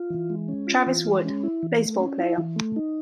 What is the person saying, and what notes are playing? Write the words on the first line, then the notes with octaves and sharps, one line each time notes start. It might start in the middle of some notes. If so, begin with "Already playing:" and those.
Travis Wood - baseball player.
Already playing: F4
E3
G#3
C#4
F4
E3
G#3
C#4
E4
E3
A3
C#4
E4
E3
A3
D#4